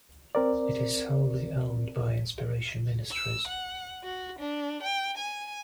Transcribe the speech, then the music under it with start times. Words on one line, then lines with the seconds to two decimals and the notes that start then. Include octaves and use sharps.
It is wholly owned by Inspiration Ministries.
0.35 C4 A#4 D5
3.11 E6
3.47 F#5
4.04 F#4
4.39 D4
4.83 G5
5.17 G#5